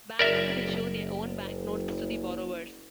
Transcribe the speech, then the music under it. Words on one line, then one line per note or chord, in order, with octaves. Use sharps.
Banks would issue their own bank notes to the borrowers.
F#1 A#4 D5 E5